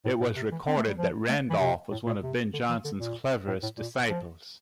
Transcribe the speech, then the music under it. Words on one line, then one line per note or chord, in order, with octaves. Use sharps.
It was recorded that Randolph was one of Ben Jonson's cleverest disciples.
A2
A2
C3
E3
C4
A3
G3
F3
A3
E3
C3
A2
A#2
C3
D3
E3
D3
A#2
A2
A2
A#2
F3